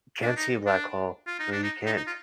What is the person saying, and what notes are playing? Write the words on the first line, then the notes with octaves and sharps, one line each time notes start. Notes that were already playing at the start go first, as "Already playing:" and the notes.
Can't see a black hole. No, you can't.
D4
D#4
D4
F4
D#4
D4
D#4
D#4
D#4
F4